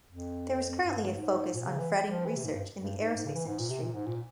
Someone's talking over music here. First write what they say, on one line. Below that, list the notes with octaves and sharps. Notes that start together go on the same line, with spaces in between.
There is currently a focus on fretting research in the aerospace industry.
F2
G2
G#2
A#2
C#3
E3
F3
E3
C3
G#2
G2
G2
G#2
G#2
C#3
E3
G#2
A#2
C3
A#2
G#2
A#2